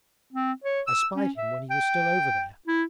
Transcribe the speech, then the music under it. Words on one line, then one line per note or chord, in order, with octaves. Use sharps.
I spied him when he was still over there.
C4
C#5
E6
C#4
E5
G5
E4